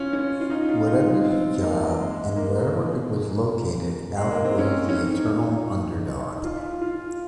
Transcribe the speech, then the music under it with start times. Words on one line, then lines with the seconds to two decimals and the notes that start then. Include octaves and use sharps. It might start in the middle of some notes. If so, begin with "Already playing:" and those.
Whatever his job and wherever it was located, Alf was the eternal underdog.
Already playing: C#4 F4
0.13 C#4
0.41 F4
0.50 D#4
0.69 F4
0.88 D#4
1.06 G#3
1.25 C4
1.61 A#3
1.99 G#3
2.36 A#3
4.16 G#3
4.31 A#3
4.45 C4
4.59 C#4
4.89 C#4
4.96 D#4
6.35 D#4
6.44 F4
6.81 F4